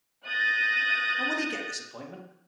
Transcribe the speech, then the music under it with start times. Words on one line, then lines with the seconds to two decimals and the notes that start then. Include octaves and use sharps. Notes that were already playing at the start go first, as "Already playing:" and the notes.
And will he get this appointment?
0.25 D#6 F#6 G6 A6 A#6